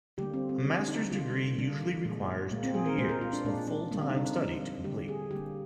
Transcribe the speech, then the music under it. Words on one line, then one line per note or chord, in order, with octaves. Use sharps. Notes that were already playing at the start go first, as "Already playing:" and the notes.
A Master's degree usually requires two years of full-time study to complete.
D3 G3 A#3 G4
C4
C4
D3 G3 A#3 D4
D4
D#4
D3 G3 A#3 F4
D3 G3 A#3 D4
A#2 G#3
A#2 G#3 A#3
C4
G#4
A#4
A#2 G#3 C5
A#4
F4
D4
A#2 G#3 D4
D4
D3 G3 A#3
C4
D#4
D4
D#4
D3 G3 A#3 D#4
D3 G3 A#3 G4
G#4
D3 G3 A#3 G4